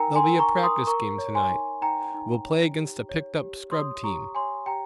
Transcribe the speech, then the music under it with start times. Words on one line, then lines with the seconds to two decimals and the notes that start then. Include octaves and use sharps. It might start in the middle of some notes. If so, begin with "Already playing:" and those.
There'll be a practice game to-night; we'll play against a picked up scrub team.
Already playing: D#4 A#4 G5 G#5 A#5
0.16 G#5 C6
0.24 A#4
0.39 A#5 C#6
0.55 A#4
0.63 C6 D#6
0.87 A#4 A#5 C#6
1.18 C#5
1.35 G#5 C6
1.50 D#4
1.81 D#4 G5 A#5
2.14 D#4
2.45 C#5
2.77 G4
3.09 C#5
3.41 G4
3.71 C#5 C6 D#6
4.04 G4 A#5 C#6
4.35 C#5 G#5 C6
4.66 G4 G5 A#5